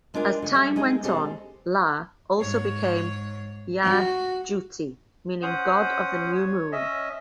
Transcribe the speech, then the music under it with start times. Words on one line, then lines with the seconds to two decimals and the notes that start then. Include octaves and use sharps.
As time went on, Iah also became Iah-Djuhty, meaning god of the new moon.
0.14 G#3 D4 F4 A#4 G#5
0.42 D3 G#5
0.54 G3 A4 E5
0.76 G#3 D#4 G#4
1.03 B2 G#3 C4 D4 G4 A4
2.39 G#2 C#5
3.83 F#4
5.42 C#4 C5 F#5 D#6
6.35 C#5
6.72 C#4 D#5 E5